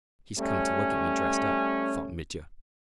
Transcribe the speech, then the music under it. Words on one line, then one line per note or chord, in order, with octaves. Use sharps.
"He's come to look at me dressed up," thought Mitya.
G3 A3 C#4